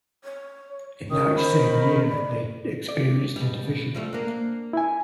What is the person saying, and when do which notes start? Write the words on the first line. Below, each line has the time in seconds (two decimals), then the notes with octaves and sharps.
In that same year they experienced a division.
0.24 C#5
1.10 D#3 C#4 D#6
1.36 C5 B5
2.10 D5
2.88 D5
3.36 B2 G3
3.94 F3 G3 A3
4.13 A#3 D4
4.73 E4 G#5